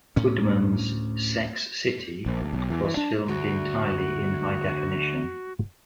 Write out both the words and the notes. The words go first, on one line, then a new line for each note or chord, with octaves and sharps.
Woodman's "Sex City" was filmed entirely in high definition.
D2 A2 C#4
A#1
D2
B1
E2
E3
D4
D2 F#4